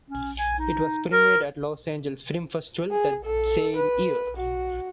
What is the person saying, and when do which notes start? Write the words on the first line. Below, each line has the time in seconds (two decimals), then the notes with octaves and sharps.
It was premiered at the Los Angeles Film Festival that same year.
0.10 C#4
0.38 G#5
0.59 D#4
1.12 A#4
2.91 G#4
3.25 A4
3.76 B4
4.37 F#4